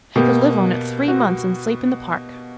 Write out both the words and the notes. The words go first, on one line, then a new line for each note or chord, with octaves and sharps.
He could live on it three months and sleep in the park.
B2 A#3 G4
F#4